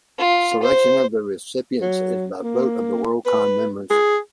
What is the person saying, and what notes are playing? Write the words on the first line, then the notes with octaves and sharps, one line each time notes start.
Selection of the recipients is by vote of the Worldcon members.
F4
C5
F#3
A#3
B4
G#4